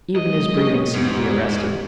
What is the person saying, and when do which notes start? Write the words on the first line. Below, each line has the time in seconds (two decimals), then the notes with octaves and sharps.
Even his breathing seemed to be arrested.
0.16 F#3 G#3 D#5
0.57 A#3 B3 C#4 G4
0.95 E2 G#2 G3 C#6 D6